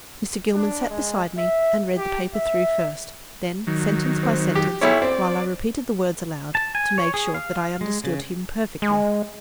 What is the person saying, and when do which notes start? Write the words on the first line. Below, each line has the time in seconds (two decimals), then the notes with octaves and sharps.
Mr. Gilman sat beside me and read the paper through first, then sentence by sentence, while I repeated the words aloud, to make sure that I understood him perfectly.
0.55 D4
0.90 G#3
1.38 E5
1.97 G4
2.35 E5
3.67 D#3 F#3
4.23 C4
4.55 G4
4.81 B1 E4 C#5
5.02 C4 D5
6.55 A5
6.75 G#5
6.98 C#5
7.14 G#4
7.35 F5
7.81 G#3
8.04 C#3
8.82 G#3